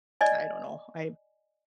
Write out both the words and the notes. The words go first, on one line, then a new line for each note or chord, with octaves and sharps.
I don't know. I
D5 D#5 G#5